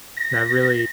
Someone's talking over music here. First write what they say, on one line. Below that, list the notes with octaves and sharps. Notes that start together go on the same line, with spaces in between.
that really,
A#6